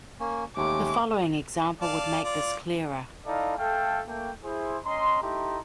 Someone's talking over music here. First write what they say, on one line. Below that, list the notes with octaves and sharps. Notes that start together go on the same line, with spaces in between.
The following example would make this clearer.
A#3 C#4
D#2 G#3 A3 C#4 D6
D5 F5 A5
F4 D5
D#4 E4 A4 D5 F5
A3 A4 F5 G5
A3 A#3 G5
E4 G#4 C5
C#4 D#5 A#5 C6
A3 D#4 E4 G4 A#5 C6